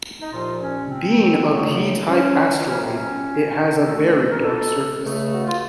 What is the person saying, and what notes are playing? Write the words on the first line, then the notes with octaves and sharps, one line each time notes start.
Being a P-type asteroid, it has a very dark surface.
D#4
C2 A#2 F3 F4
C#4
C4
F#2 C#3 A3
C#4
F2 C3 F#3 A#3 C#4
C4
C#4
A#2 A3 A4
F#4
A4
A4
A#4
A4
C#2 C#3 A3
F#4
F4